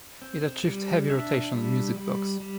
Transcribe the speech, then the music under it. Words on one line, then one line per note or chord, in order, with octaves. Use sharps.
It achieved heavy rotation on "Music Box".
C4
G3
D4 E5
G3
G3
G3